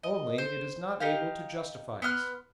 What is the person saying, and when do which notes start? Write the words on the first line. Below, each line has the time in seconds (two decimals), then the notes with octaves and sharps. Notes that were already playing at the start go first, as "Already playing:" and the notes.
Only it is not able to justify us.
0.03 D#5
0.38 C5
1.00 D#4 G4 F5
2.02 B3 C6 F6 F#6